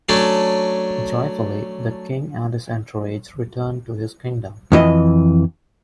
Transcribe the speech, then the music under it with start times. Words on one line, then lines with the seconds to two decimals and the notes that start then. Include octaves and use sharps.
Joyfully, the king and his entourage return to his kingdom.
0.09 F#3 A3 C#4 D4
4.72 F2 E3 D#5